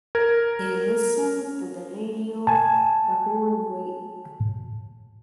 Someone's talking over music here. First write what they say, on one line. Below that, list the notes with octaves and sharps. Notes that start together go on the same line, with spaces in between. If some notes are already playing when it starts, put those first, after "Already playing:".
They listened to the radio the whole way.
A#4 G#6
G#5 A5